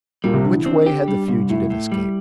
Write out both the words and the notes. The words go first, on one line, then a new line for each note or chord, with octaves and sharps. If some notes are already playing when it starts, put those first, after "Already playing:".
Which way had the fugitive escaped?
A#2 G3
C3
E2 D3
E3
C4 D4
G4
G3
C2
A2 E4
A2
G3